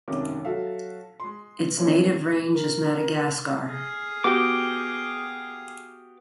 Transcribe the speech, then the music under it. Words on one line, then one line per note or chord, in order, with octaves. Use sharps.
Its native range is Madagascar.
E1 B1 F#2 C3 D#3 D6
F#3 F#4 A4 E5 F5
G#3 C6
E3 F3 A#3 C4 C#4
A#4
G#4 F5
B3 F#4 G4 G5 D6